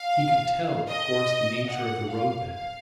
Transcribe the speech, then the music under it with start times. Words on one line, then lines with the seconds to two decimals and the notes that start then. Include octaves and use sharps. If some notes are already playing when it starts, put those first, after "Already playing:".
He could tell, of course, the nature of the roadbed.
Already playing: F5
0.89 D#5
1.69 F#5
2.10 F5
2.50 F5